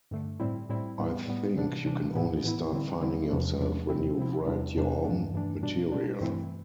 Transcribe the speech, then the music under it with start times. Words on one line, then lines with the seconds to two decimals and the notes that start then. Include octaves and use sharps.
I think you can only start finding yourself when you write your own material.
0.11 G2 D3 A3
0.40 A2 G3 C4 E4
0.69 A2 G3 C4 E4
0.98 A2 G3 B3
1.27 A2 G3 B3
1.56 C3 E3 G3 D4
1.85 C3 E3 G3 D4
2.15 A2 E3 B3 E4
2.44 A2 E3 B3 E4
2.73 D3 G3 C4 E4
3.01 D3 G3 C4 E4
3.31 E2 C3 F3 A3 D4
3.60 E2 C3 F3 A3 D4
3.89 C3 F3 C4 E4
4.17 C3 F3 C4 E4
4.47 E2 C3 G3 D4
4.76 E2 C3 G3 D4
5.04 G2 E3 A3 D4
5.34 G2 E3 A3 D4
5.63 B2 G3 D4
5.92 B2 G3 D4
6.21 G2 E3 A3 C4 E4